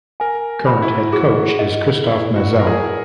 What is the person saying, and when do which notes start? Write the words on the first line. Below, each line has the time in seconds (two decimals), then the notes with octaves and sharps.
Current head coach is Christophe Mazel.
0.20 A#4 G#5
0.67 F#4 B5
0.82 E4
1.12 F#4 G#4
1.59 D#5
2.05 E4 B4
2.36 F#4
2.51 B4
2.59 A#4
2.67 G#4